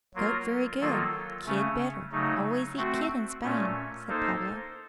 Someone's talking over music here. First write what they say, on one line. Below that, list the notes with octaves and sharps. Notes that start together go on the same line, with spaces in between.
"Goat very good, kid better; always eat kid in Spain," said Pablo.
F#3 A#3 F4 A#4
D#3 F#3 A#3 F4 A4
C#3 A3 C#4
C#3 F#3 A3 D#4
A3 C4 F#4
A#2 A3 C#4
A#3 D#4 A4 C5